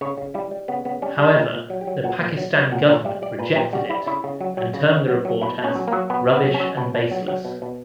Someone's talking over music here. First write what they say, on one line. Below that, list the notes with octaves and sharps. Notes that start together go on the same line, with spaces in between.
However the Pakistan government rejected it and termed the report as "rubbish and baseless".
C#3 C#5
C#3
G3 E4
G3
C#3 B3
C#3 B3
G3 C#4
G3 D4
A#2 E4
A#2
F#3
G4
F#3
A#2 F#4
A#2
F#3
F#3
A#2 F#4
A#2 C#5
G3 E5
G3 D5
A#2 B4
A#2 G4
G3 F#4
G3 E4
C#3 E4
C#3
F#3
F#3
C#3
C#3
F#3
F#3
B2 E4
B2
C#4
F#3
A#3
F#3
B2 B3
B2
B3
F#3
C#4
F#3
B2
B2
F#3
F#3
B2
B2